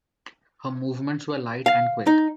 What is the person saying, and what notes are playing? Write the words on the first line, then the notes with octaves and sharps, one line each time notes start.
Her movements were light and quick.
F5
D#4